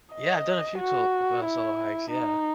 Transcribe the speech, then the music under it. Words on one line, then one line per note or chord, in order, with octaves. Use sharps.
Yeah, I've done a few tol uh, solo hikes, yeah.
D#5
F#4
E4
D#4